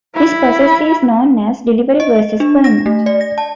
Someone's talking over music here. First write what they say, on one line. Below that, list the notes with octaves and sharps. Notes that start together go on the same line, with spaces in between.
This process is known as delivery versus payment.
E4 B5
D#5
D4
A#6
A3
D5
A#6
A5